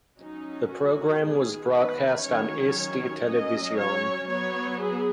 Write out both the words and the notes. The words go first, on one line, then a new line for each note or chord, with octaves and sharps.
The programme was broadcast on Eesti Televisioon.
F#3 C#4 D#4
F#4
D#3 B3 G#4
B4
D#3 F#3 C#4 C#5
F#3 C#4 D#5
C#5
F#3 B3 C#5
G#4